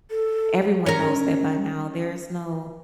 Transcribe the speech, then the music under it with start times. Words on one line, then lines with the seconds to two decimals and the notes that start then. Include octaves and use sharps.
everyone knows that by now, there is no
0.10 A4
0.86 C#4 A#4